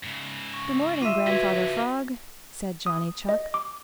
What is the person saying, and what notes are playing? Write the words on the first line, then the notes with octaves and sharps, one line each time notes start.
"Good morning, Grandfather Frog," said Johnny Chuck.
G#2 C#3
C#6
F4 E5 D6 D#7
D3 F#3 F#4 B4 G#6 B6
D#6
D#5
D6